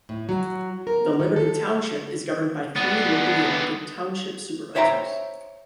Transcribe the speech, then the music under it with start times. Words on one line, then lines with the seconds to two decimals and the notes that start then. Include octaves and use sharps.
The Liberty Township is governed by three locally elected Township Supervisors.
0.09 A2
0.29 F#3
0.87 A#4
1.20 D#3
1.36 A4
2.76 B3 D4
4.75 C5 C#5 E5 G5 A5 A#5